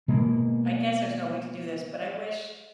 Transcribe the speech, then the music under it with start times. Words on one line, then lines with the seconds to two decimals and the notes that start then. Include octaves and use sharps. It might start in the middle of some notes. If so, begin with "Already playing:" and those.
I guess there's no way to do this, but I wish
0.08 B2 G#3 A#3